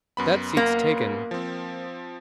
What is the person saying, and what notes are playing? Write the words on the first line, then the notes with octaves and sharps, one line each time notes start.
That seat's taken.
F#2 B3 B5
A#3
F3 C4